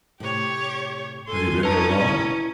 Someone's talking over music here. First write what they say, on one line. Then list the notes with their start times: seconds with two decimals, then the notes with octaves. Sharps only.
"Have you been here long?"
0.20 A2 C3 G4 C#5
1.27 A4 G#5 C6
1.63 C#4 D#4 B4 A5 A#5 D#6
2.07 E4 E5